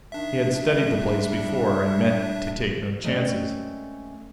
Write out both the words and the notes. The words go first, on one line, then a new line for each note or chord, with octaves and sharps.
He had studied the place before, and meant to take no chances.
D#3 D4 E5
G3
G#3 A3 C4 C#4 A#4 D5